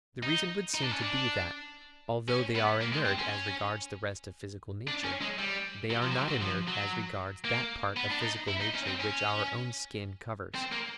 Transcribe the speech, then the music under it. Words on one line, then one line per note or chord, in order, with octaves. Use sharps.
The reason would seem to be that, although they are inert as regards the rest of physical nature, they are not inert as regards that part of physical nature which our own skin covers.
D#4
D#4
D4
C#4
D4
C#4
B3
A#3
G#3
C4
C#4
D4
C#4
G#3
G3
F#3
F3
F#3
G3
F#3
F3
F#3
A#3
B3
D4
D#4
E4
D#4
C#4
C4
C#4
C4
A#3